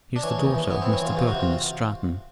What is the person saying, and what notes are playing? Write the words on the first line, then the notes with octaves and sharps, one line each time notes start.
"She is the daughter of Mr. Burton of Stratton."
D4
E3 C#4
D#2
E3
E3 B3
E3 C4
C#4
E3 F4
C3 F4
C3 F#4
F4